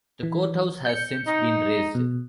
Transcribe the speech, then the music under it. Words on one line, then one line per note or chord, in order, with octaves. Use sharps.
The courthouse has since been razed.
E3
G6 C#7
D#4
B2